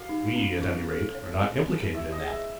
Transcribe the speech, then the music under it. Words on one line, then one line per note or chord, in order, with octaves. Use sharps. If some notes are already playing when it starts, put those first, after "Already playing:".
"We at any rate are not implicated in that."
Already playing: F#4 F5
D#4
C#4
F4
A4
C#5
C4
C4
E4 E5
D#5
G#4
E5